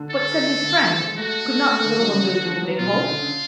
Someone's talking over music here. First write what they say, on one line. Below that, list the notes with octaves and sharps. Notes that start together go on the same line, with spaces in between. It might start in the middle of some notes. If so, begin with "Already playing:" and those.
"But," said his friend, "could not the little one go through the big hole?"
Already playing: D3
A4
D3
F3
G#3
A3 F#4
A3
A3
D3
F#3
C#3
D3
F3
F#3
B2 F4
C#3
D3
C#3